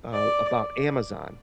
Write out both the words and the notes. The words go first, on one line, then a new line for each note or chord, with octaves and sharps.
uh, about Amazon.
D5